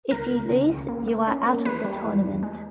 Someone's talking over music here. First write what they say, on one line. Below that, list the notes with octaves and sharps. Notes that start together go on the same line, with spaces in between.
If you lose, you are out of the tournament.
C#2 A#4
C#2
C#3
C#2
A#3
A#3
C#4
A#3
E2 B4
G3
E2
E2
G#3